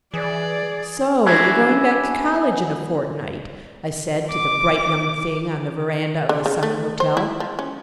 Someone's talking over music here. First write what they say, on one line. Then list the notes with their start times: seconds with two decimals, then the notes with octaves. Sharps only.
"So you're going back to college in a fortnight," I said to the Bright Young Thing on the veranda of the summer hotel.
0.14 E3 G#4 D5
1.26 D4 E4 F#4 G#4
4.31 D6
6.29 D3
6.46 C#3
6.63 A3
7.00 C5
7.17 E4
7.40 F3
7.59 C#4